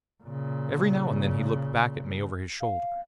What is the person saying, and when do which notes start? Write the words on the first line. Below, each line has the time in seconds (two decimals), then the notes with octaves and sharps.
Every now and then he looked back at me over his shoulder.
0.24 A#2 C#3
2.61 F5